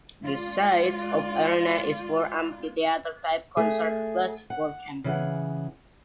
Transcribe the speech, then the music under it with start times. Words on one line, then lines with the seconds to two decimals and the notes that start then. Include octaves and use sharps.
The size of the arena is for amphitheater-type concerts plus for camping.
0.24 G#3 F4 D5
3.57 A3 G#4
4.50 F#5
5.04 C#3 E3 G#4 F#5